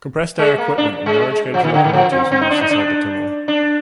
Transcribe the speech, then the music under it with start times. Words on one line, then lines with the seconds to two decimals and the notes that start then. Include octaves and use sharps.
Compressed air equipment and narrow gauge locomotives were used inside the tunnel.
0.39 G#3
0.58 A#3
0.78 D4
1.06 G#3
1.54 F3
1.64 D#3
1.74 D3
1.84 D#3
1.93 F3
2.12 C4
2.31 C4
2.41 D#4
2.51 D4
2.61 D#4
2.71 D4
3.48 D4